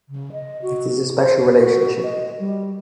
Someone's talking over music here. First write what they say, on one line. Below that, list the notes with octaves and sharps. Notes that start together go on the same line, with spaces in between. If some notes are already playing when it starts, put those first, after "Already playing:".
It is a special relationship.
C#3
D#5
F#4
C5
F#4
F#4
D#5
G3